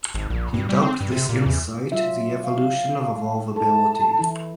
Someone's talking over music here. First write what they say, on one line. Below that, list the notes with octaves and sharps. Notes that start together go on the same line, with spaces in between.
He dubbed this insight "the evolution of evolvability".
G#1
A#1
G2
G3
C4
G2
C3
A#2
E2
F#3 F4 E5
F5
E4 A4 A5
E3 E4